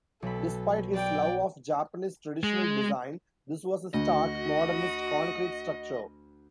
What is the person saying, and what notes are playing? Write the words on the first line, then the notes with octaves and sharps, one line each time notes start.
Despite his love of Japanese traditional design, this was a stark, modernist concrete structure.
B1 A4 B5
D5 G5
G#3
D2 F#4 D#5